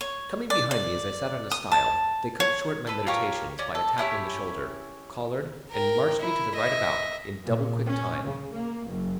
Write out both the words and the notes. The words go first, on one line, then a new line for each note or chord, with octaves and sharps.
Coming behind me as I sat on a stile, they cut short my meditations by a tap on the shoulder, collared and marched me to the right about in double quick time.
C#5
D5
D5
D#6
A5
C#5
A4 B4
F4 G4 A#4 C#5
C#4 D5
A4
C#4 E4 G4 C#5
A#4 G5
E4
D#5 E5
A#2
C#4
C#3
A#3
F#1